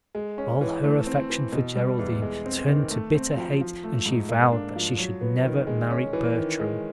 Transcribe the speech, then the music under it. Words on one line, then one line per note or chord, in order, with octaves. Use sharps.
All her affection for Geraldine turned to bitter hate and she vowed that she should never marry Bertram.
G#3
C#4
E3
A3
C4
E3
B2
G3
E2
G#3
C4
D#3
A3
C4
F3
F3
A3
G#2
A#3
D4
F3
F#3
B3
D#3
G#3
C#4
E3
D#3
G#3